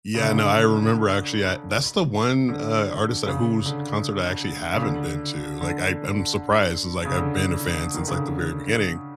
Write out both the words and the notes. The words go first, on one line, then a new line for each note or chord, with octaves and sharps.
yeah, no, I remember actually, I that's the one, uh, artist that whose concert I actually haven't been to, like, I I'm surprised, 'cause, like, I've been a fan since, like, the very beginning,
C#3
D3
C#3
D3
C#3
D3
C#3
D3
D3
C#3
D3
D#3
D3
C#3
D3